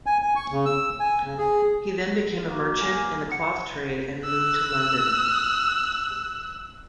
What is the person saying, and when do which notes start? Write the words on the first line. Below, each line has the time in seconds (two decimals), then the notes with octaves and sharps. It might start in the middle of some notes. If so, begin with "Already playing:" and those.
He then became a merchant in the cloth trade and moved to London.
0.06 G#5
0.22 G#5
0.36 C#6
0.52 C#3
0.66 E6
1.00 G#5
1.25 C#3
1.38 G#4
2.48 A#3 F#4
2.82 G#5
3.32 F#5 C#7
4.25 E6 F#6